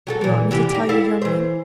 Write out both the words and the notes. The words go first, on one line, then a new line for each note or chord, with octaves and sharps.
Do you want me to tell you your name?
F#3 G4 A4
A#2 E3
C3 E3 G4
D#4 G4
E4 A4 F5
E3 C5